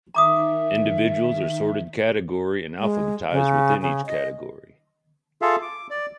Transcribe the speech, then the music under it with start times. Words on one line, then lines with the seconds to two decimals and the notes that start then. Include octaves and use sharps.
Individuals are sorted by category and alphabetized within each category.
0.15 D#3 E5 A#5 D6 D#6
2.79 G#3
3.32 C#3
3.82 C#3
4.06 D#5
5.42 F4 G#4 A4 E5 F5
5.62 D6
5.90 D5